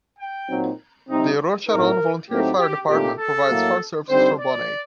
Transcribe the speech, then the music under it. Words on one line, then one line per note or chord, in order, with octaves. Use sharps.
The Rosharon Volunteer Fire Department provides fire services for Bonney.
G5
A#2 F#3 C4 D#4
C3 G3 C4 D#4
A2 A3 C4 D#4 A#4
A2 F#3 A3 C4 D#4 G4
G4
A#2 A3 C4 D#4 G4
A4
A2 F#3 A#3
D3 G3 C4 D#4 C5
D5